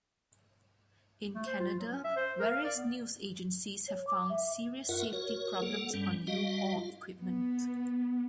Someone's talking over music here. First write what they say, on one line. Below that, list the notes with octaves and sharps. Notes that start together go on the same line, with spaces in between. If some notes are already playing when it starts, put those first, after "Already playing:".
In Canada, various news agencies have found serious safety problems on U-Haul equipment.
A3
C5
F4
F#3
C#4
E5
C5
A#4
F5
D5
B3
C#5
D6
E5
F#2 F4 A#4 E5 F#5
F#4 A#4 C#5
A#3 A4 F#5
G2 G3 C#4
G3 F#4 D#5 F5
F4
B3